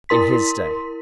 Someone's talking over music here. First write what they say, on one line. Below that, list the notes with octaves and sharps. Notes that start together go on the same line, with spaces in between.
In his day!...
E4 A#4 C6 B6